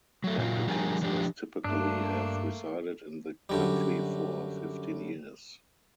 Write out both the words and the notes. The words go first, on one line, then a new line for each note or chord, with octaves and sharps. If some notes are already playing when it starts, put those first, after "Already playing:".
Applicants must typically have resided in the country for fifteen years.
F#3 A3
A#2 F#3 F4
F3 G3 D4 G#4 A#4
F3 G#3 D4 G4
G2 A3 A#3 D4
F#2 D3 G3